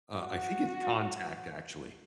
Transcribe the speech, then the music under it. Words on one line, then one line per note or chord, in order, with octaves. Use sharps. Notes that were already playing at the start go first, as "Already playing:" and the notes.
Uh, I think it's Contact actually,
F#4